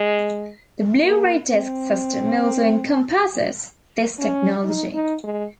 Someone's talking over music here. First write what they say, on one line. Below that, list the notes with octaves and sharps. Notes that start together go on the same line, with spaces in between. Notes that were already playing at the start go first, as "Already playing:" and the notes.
The Blu-ray disc system also encompasses this technology.
Already playing: G#3
A#3
C4
C#4
D#4
D#4
G#3